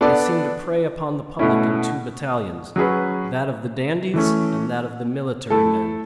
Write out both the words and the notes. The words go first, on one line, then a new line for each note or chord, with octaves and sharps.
They seem to prey upon the public in two battalions--that of the dandies and that of the military men.
B3 D4 A4 D5
B2 A3 C#4 E4
F#3 C#4 G#4 B4
E3 A3 C#4
A3 E4 A4